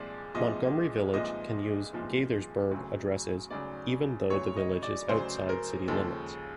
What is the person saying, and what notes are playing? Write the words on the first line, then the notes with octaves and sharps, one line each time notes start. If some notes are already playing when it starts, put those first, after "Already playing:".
Montgomery Village can use Gaithersburg addresses even though the village is outside city limits.
Already playing: C2 A#2 F3 G#3 D5
C2 A#2 F3 G#3 D#5
C2 A#2 F3 G#3 D#5
C2 A#2 F3 G#3
D2 C#3 F#3
D2 C#3 F#3 D5
D2 C#3 F#3 C#5
D#5
D5
D2 C#3 F#3 C5
A#4
D#2 C#3 F3 G#3 A4